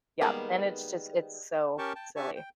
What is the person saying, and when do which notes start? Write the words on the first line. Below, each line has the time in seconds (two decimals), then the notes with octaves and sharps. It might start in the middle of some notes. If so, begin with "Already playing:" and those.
Yeah, and it's just it's so silly.
0.21 D#3 G3 G#3 A#3 B3
1.78 C#4 G4 A#4 G5 A5 C#6
1.95 G5 A5
2.16 D4 G4 E5 G#5 A5 C#6
2.36 G5